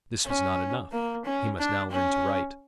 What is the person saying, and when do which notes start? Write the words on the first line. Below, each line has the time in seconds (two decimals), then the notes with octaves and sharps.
This was not enough--he must now learn to write.
0.25 C#4
0.92 A#3
1.25 C#4
1.59 D4
1.91 C#4